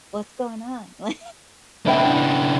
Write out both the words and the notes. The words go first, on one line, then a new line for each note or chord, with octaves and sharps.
"What's going on?" Like
C#3 B3 D4 E4 G5